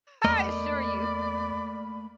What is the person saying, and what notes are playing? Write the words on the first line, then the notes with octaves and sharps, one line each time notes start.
I assure you.
E2 A3 A#3 D5 D#5 B5